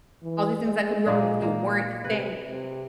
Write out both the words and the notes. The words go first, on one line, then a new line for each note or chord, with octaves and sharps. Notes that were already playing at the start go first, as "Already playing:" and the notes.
All these things that could be wrong with you weren't a thing.
E3
G#3
A#2 A#3 D4
A#3
C3 B4
C3